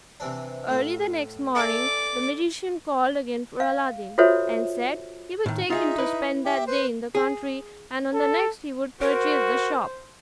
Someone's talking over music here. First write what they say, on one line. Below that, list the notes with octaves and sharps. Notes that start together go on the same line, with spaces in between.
Early the next morning, the magician called again for Aladdin, and said he would take him to spend that day in the country, and on the next he would purchase the shop.
C3 E3 D4
A2 F4
A4 D5 E5 G#5 D6
F5
F4 F#4 A4 C5 C#5 E5
A2 D#3
D#4 F4 F#4 G#4 E5
E4 B4
G4 E5
B4 C5
G#4
A4
F#4 A#4 C5